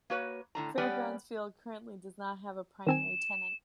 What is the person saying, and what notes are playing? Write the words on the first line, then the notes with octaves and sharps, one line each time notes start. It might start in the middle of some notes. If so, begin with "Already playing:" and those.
Fair Grounds Field currently does not have a primary tenant.
A#3 F#4 B4 C#5
A2 D3 A#5
G3 B3 C#4 G4 D5 F#5
D#3 C4 G#5 E7